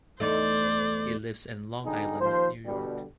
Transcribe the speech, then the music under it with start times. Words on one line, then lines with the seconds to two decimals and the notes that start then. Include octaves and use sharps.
He lives in Long Island, New York.
0.20 E2 A3 D#4 C5 D5
1.85 B1 D3 G3 D#4 G#4
2.20 D#2 F3 C5
2.66 B2 D3 G3